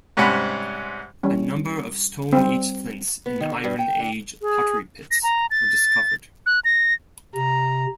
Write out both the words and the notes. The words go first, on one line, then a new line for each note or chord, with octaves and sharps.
A number of Stone Age flints and Iron Age pottery pits were discovered.
G#2 C3 G3 C#4 F#5 B5
E3 G3 C#4
G3 C4
B3
D#3
D3
G2
G5
D3
G#4
A#6
A#5
A6
F#6
A#6
C3 A#5